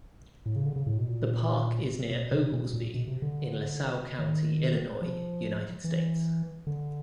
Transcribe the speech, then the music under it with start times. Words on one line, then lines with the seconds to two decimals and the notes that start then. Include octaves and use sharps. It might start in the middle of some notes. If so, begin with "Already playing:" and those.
The park is near Oglesby, in LaSalle County, Illinois, United States.
0.46 A2
0.56 C#3
0.65 D3
0.76 C#3
0.86 A2
0.98 B2
1.08 A#2
2.11 B2
2.31 C3
2.52 B2
2.73 A#2
2.94 B2
3.07 C3
3.22 D3
4.19 D#3
5.02 F3
5.84 E3
6.67 D3